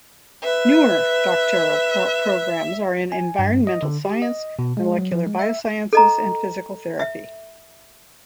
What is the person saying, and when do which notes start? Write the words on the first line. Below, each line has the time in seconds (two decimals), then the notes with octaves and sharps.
Newer doctoral programs are in environmental science, molecular biosciences and physical therapy.
0.43 B4 E5
3.12 G#5
3.39 G2
3.67 D#5
3.83 D3
4.05 G4
4.22 D#5
4.59 B2
4.77 G#3
4.99 F#3
5.12 F3
5.26 G#3
5.39 E5
5.93 A4 D#5 A#5
7.00 E5